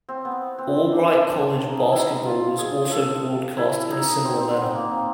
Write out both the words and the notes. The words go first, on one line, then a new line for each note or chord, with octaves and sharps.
Albright College basketball was also broadcast in a similar manner.
C4
B3
C4
D4
D#4
E4
F4
G#4
A4
E4
D#4
C4
C4
B3 C4
A#3
C4